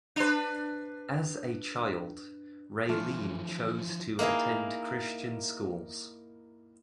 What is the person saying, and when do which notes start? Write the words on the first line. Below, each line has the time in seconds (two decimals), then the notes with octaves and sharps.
As a child, Raylene chose to attend Christian schools.
0.16 D4 B4
2.89 E3 F3 A3 D4 F4
4.19 A#3 D#4 E4 G#4